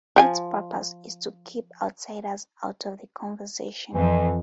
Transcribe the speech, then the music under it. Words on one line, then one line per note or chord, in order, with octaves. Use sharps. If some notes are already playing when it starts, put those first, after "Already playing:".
Its purpose is to keep outsiders out of the conversation.
F3 G5 G#5
F2 E3